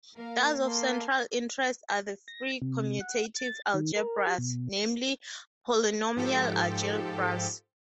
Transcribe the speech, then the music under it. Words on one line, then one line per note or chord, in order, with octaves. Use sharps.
Thus of central interest are the free commutative algebras, namely the polynomial algebras.
A#3 A#4 F5
A#3 A4 C6
A#6
C3
F#5
A6
D#3
A#4
G4
B2
G#2 F3 G4 A4